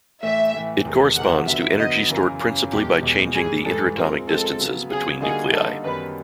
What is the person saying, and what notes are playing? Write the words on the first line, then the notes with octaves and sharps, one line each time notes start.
It corresponds to energy stored principally by changing the inter-atomic distances between nuclei.
A2 E3 A3 E5
A2 E3 A3
E2 C3 D#3 G#3
E2 C3 D#3 G#3 F#5
D3 F#3 B3 E5
D3 F#3 B3 D#5
F#2 C#3 E3 A#4
F#2 C#3 E3
E2 B2 G#3 G4
E2 B2 G#3
G#2 E3 G3 G#4
G#2 E3 G3 A4
F3 G#3 C4 A#4
F3 G#3 C4 A4
C#3 F#3 B3
C#3 F#3 B3 G#4
D3 G3 A#3 D#4 F#4 G#4
D3 G3 A#3 D#4 F#4 A4
F#2 D#3 G3 B3 B4